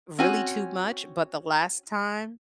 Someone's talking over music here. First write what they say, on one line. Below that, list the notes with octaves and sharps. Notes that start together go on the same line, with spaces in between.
really too much, but the last time
C4 C#4 F#4 G#5